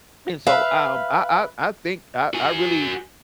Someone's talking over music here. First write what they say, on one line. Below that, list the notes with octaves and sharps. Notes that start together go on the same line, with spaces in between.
and so, um, I I I think I I really,
B4 E5 F5
F#4 G#5